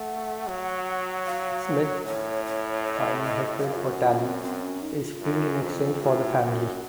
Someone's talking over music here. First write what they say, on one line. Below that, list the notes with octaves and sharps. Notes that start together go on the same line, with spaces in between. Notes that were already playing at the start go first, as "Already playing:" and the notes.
Smith, feigning hatred for Talley, is freed in exchange for the family.
Already playing: A3 F#5
F#3
F5
C#5
A2 C#5
C#5
C#5
D#5
C#5
D#5
D#5
F#2 F5
F4
F#4
F4
A#3
C4
C4
C#4
D#4
F4
F#2
F2
A2 F#4
F4
F#4
F#2